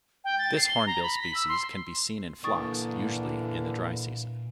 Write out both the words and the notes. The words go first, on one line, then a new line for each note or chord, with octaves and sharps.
This hornbill species can be seen in flocks, usually in the dry season.
G5
A6
C7
G7
A#5
B5
B6
E6
C6
A#2 D3 E3 A#3 G5 C#6 D#6 A6